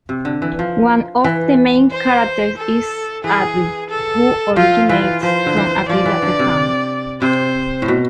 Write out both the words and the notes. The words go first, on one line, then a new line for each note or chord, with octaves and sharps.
One of the main characters is Atli who originates from Attila the Hun.
C3
D3
E3
F3
E3
C5
A4
E3 G#4
A4
F3 F4
E3 F4
F3 C5
D3
E3
F3 D5
E3
D3
C3
C3 C5
A2
B2